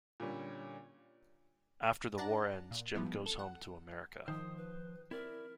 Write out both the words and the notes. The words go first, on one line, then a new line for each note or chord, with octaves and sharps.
After the war ends, Jim goes home to America.
A#2 D3 G3 C#4
D4 D5 F#5 A5 A#5
A#2
F3 G3 B3 E4
A4
F#5
D#3 F3 C5 D#6
B4
C4 E4 A#4 D5 E5